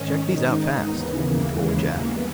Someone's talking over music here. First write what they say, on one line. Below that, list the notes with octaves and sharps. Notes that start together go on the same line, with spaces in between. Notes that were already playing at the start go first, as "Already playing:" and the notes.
"Check these out fast," he told Jack.
Already playing: G#2 D#3 C#4
D#4
D#2 C#3 E3 B3
A#3
G#3
A#3
G2 B3